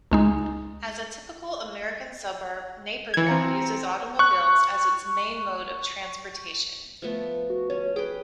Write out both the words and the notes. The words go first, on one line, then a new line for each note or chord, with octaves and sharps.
As a typical American suburb, Naperville' uses automobiles as its main mode of transportation.
C#2 G#3 D#4
E3 G#6
C4 A#5 C#7
C#6 F#6
F3 A3 B3
F#4
C#4 C#5
G#4 B4 G5